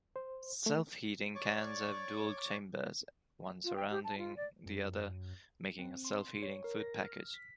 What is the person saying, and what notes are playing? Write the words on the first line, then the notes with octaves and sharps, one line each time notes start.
Self-heating cans have dual chambers, one surrounding the other, making a self-heating food package.
C5
A3
C#5 D5 C#6 D6
F4
G5
G4
A5
F4
D5
F#2
C4
C6
C#5
A#4
A#6
F6
B6